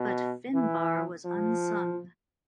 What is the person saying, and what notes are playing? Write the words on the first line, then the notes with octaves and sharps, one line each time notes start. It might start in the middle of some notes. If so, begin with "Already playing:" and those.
But Finbarr was unsung.
Already playing: B2
E3
F3